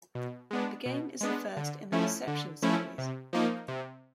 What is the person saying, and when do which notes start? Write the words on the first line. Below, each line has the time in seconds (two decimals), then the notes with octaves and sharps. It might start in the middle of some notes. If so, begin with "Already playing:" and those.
The game is the first in the "Deception" series.
0.15 B2
0.51 G#3 B3 D4
0.86 B2
1.21 G#3 B3 D4
1.57 D3
1.92 F3 A3 C#4 E4
2.27 D3
2.62 F3 A3 C#4 E4
2.98 C3
3.33 F3 A#3 D#4
3.68 C3